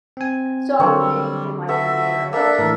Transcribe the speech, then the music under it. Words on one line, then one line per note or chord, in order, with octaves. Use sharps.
So, I would think in like a marriage
C4 G#5
D3 F#3 A#3 C4 C#5
G3
B3 F#4 A4 E5
A#3 D4 A4 E5
A2 E3 A#4